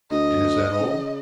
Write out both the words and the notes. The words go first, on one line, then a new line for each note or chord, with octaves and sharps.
"And is that all?"
D2 D#5
C#3